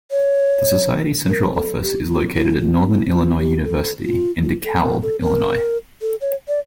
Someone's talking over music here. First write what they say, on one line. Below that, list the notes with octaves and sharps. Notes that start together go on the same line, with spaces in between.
The Society's central office is located at Northern Illinois University in DeKalb, Illinois.
C#5
A#4
A4
G4
F4
E4
F4
E4
F4
G4
A4
F4
F4
A4
A#4
A4
A#4
A4
C#5
D5